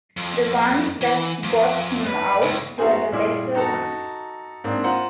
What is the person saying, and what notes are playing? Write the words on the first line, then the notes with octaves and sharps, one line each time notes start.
The ones that got him out were the lesser ones.
F2
E3
F2
B4
C#2
B3 D#4 F#4 G#4 C5 G#5
A#2 G3 E4 G#4 D6
D#4 F#4 A4 A#5
G#2 A#3 C4 D4
F4 C5 F#5 A#5